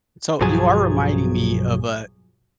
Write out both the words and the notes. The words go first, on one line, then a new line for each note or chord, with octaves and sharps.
So you are reminding me of a
B1 G2 F3 F#3 G#4